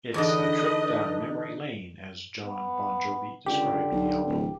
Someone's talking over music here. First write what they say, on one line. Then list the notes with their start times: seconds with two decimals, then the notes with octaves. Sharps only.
It's a "trip down memory lane" as Jon Bon Jovi described the album.
0.14 E2 D3 D4 D#4 B4 D#5
2.46 B3
3.46 C#2 D3 G4
3.92 B1
4.27 D1